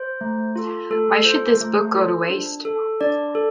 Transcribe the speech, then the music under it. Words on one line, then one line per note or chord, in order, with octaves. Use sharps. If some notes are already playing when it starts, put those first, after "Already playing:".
Why should this book go to waste?
Already playing: C5
A3
F4 A4
A3 A4
F4 A4 C5
A3
F4 A4
D4
A4
D4 D5
A4